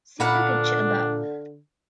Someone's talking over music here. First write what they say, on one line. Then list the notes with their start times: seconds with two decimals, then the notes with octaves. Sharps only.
See the picture above.
0.20 A#2 D3 D4 F5 F#5 B5